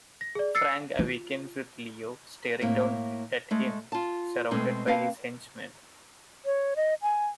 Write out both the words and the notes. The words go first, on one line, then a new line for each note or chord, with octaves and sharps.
Frank awakens with Leo staring down at him, surrounded by his henchmen.
A#6
G#4 D5
E6 A6 C7 C#7
F4
A2 A#3
G#3 A3
F4 A5
B2 G#3 A3 C4
A#3 C4 B4 F5 A5
C#5
D#5
G#5